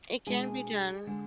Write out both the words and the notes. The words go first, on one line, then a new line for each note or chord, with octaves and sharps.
It can be done.
B2 G#3 D4 G#4 G#5
D3 G#3 D4